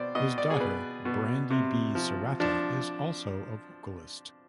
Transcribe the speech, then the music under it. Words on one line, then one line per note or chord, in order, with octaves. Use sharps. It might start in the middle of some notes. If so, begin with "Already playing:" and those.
His daughter, Brandy Bee Serrata, is also a vocalist.
Already playing: B2 C5 D5
B2 D#5
D5
G#4
B2 B4
B2
C3
F3
F3 D4